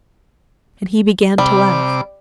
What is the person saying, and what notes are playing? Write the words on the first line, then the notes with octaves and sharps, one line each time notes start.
And he began to laugh.
C3 G3 D6